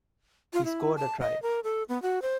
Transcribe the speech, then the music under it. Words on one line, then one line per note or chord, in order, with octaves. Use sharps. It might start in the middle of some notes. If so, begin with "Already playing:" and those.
He scored a try.
F4
E4
A5
D#5
A#4
A4
B3
F#4
C5